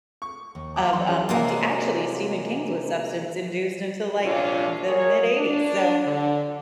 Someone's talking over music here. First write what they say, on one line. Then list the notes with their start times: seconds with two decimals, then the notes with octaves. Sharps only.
of, um of the actually Stephen King's was substance-induced until, like, the mid-eighties, so
0.22 C#6
0.55 D#2
0.76 E5 D6
0.93 E3 F#3 C6
1.07 C#4 F#4 G#4
1.29 C3 F#3 G#3 A#3
4.23 A#1 C3 C#4 D4 F4
4.87 F#4 G#4 A#4 C#5
5.37 D4
6.05 D3